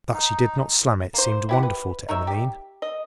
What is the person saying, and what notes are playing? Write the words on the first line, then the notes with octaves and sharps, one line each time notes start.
That she did not slam it seemed wonderful to Emmeline.
D#4
A#3 C5
E4 G4 F#5
B4
D#4 A#4 C#5 E5
G4
D#5